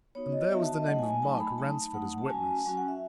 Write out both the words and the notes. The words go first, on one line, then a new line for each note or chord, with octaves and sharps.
And there was the name of Mark Ransford as witness.
B3 D#4 F#4 C#5
D#5
B3 D#4 F#4 E5
A5
D#5
F#3 A3 D#4 F#5
G#5
G#5
F#3 A3 D#4 A5
B5
F#3 A3 D#4 A5
F#3 A3 D#4 F#5
F#5
A5
F#3 C#4 F#4 G#5
F#3 C#4 F#4 G#5
F#5
E5